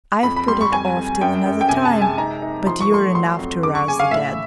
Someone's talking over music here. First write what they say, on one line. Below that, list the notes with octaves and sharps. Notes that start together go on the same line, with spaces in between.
I've put it off till another time, but you're enough to rouse the dead....
F2 B5
B5
G3 C6
C#6
F2 G#5
F2
F#2 G5
F#2
G5
C3 G#5
A5
G#3
G#5
D#4 A#5
D#4
F3 C6
C#6
A3 C6
F#3 C6
F2
C#3 D6
C#6
C#3 G#5
F5
A2 E5